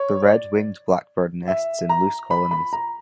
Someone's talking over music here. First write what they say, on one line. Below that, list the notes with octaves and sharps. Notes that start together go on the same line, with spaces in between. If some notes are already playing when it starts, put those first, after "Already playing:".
The red-winged blackbird nests in loose colonies.
Already playing: C#5
D5
E5
A#5
B5
B5
A#5